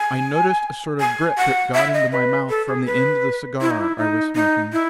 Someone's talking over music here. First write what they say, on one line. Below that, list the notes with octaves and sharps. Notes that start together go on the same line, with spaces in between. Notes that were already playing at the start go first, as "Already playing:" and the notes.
I noticed a sort of grit that got into my mouth from the end of the cigar I was smoking.
Already playing: G#5
G#5
F#5
E5
D#5
B4
A4
G#4
B4
E4
D#4
E4
D#4
D#4
E4